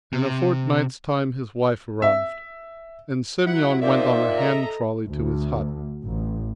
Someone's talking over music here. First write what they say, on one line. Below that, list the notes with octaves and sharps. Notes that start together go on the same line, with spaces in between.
In a fortnight's time his wife arrived, and Semyon went on a hand-trolley to his hut.
C3
E5
F#3 E4 F#5
A#2 D#4 C5 D5 E5
A4 D#5 A#5
D2
A1